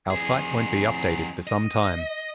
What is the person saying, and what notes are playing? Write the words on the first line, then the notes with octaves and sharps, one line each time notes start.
Our site won't be updated for some time.
F2 G#4
D#5